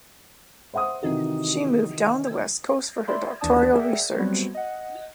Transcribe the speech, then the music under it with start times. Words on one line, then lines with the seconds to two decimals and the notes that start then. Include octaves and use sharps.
She moved down the West Coast for her doctoral research.
0.74 C5 E5 F#5 C6 D#6
1.02 C3 D#3 E3 D#4 F#4 A4
3.07 D5 E5 B5 C6
3.41 D#2 E3 D4 D5 A5 D#6
3.72 G#4 A#4 D5 E5 F#5 G5
4.16 F#3 G3 A3 B3 C4 F#4
4.55 D#5 F#5